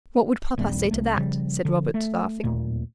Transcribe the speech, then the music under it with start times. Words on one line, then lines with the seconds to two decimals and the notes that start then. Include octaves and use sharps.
"What would papa say to that?" said Robert, laughing.
0.58 A#1 D#2 G3 C4
0.91 C2 A3
1.17 C#3 F3 G3
1.65 D3 F3
1.94 A3
2.44 D1 D#2 A#2 A3